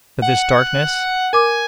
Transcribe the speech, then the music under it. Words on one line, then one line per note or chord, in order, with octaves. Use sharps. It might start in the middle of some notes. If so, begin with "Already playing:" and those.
"But this darkness?"
F#5
A#4 G#5 D6